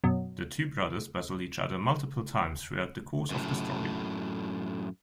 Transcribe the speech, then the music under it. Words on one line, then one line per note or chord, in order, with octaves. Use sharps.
The two brothers battle each other multiple times throughout the course of the story.
F#2 B2
F#2 A2